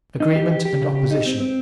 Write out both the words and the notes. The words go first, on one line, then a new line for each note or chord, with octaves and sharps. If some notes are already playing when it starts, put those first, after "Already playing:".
Agreement and Opposition.
D#4
G4
G4
G4
C#3
G4
D#4
C4
C4